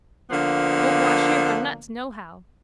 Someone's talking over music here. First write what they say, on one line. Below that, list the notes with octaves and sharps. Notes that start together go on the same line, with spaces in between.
Won't wash here for nuts nohow.
D3 F3 A#3 B3